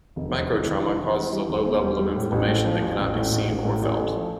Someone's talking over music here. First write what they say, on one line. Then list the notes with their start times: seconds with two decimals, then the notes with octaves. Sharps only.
Most microtrauma cause a low level of inflammation that cannot be seen or felt.
0.16 F1
0.33 F1
0.49 E3
0.66 F1
0.83 E3
0.99 E3
1.16 E3
1.33 G3
1.49 F1
1.66 E2
1.82 G3
1.99 G3
2.15 A2
2.32 A1
2.48 A2
2.65 F3
2.82 A1
2.98 A1
3.15 A2
3.32 A1
3.48 A1
3.65 A2
3.82 A1
3.99 A3
4.15 F3